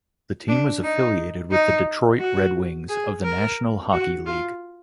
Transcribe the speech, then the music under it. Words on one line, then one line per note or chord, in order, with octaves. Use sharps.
The team was affiliated with the Detroit Red Wings of the National Hockey League.
D4
D#4
D#4
F#4
G#4
A#4
F#4
F4